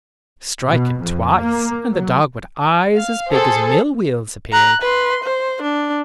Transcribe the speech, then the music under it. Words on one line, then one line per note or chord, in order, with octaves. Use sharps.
Strike it twice and the dog with eyes as big as mill-wheels appeared.
B2
F2
A#3
F#3
F5
G#4 A4 C5
A#5 F#6
B4 C6
C5
D4